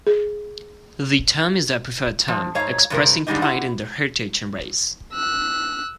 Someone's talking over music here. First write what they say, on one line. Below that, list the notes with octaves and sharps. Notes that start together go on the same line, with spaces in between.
The term is their preferred term, expressing pride in their heritage and race.
G#4
F3
G#2 C#5 F5 A#5
G2 C3 A#4
G2 D3 G3 G#3 D4 D#4
E4 G4 F#5
E6 F#6